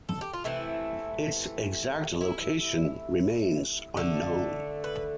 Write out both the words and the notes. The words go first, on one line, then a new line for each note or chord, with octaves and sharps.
Its exact location remains unknown.
A4
G4
F4
C3 E3 A3 E4
E4
D3 A3
B4